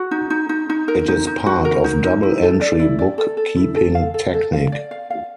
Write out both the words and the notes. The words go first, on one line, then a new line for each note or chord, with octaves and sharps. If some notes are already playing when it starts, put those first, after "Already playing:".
It is part of double-entry book-keeping technique.
Already playing: F#4
D#4
D#4
D#4
D#4
A#4
D#4
D#4
F#4
A#4
D#4
D#4
E4
A4
D5
E4
D5
A4
A4
E4
A4
F5
A4
A4
F5
D5
F5
F5